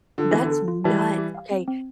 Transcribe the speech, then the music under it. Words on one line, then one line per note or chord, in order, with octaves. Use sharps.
That's nuts, okay,
D3 F4
E3 B3
D3
A4
F4
E3 G3 A5
A5
G4
F5
C4
C4